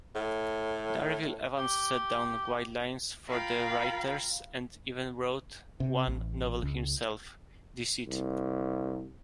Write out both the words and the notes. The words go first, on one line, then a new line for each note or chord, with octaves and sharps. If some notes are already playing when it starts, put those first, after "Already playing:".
Darvill-Evans set down guidelines for the writers, and even wrote one novel himself, Deceit.
A2
G4
F4 A#4 F5 G5 B5
C3
A1
C#2
C2